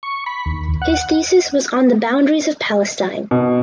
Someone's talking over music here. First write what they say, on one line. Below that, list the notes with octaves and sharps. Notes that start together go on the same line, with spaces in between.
His thesis was on the boundaries of Palestine.
C#6
B5
D#2
F#5
B2